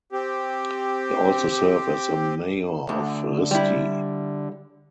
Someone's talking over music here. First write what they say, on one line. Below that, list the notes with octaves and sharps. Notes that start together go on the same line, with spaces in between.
He also serve as the mayor of Risti.
C4 G4
D2 D3
G3 E4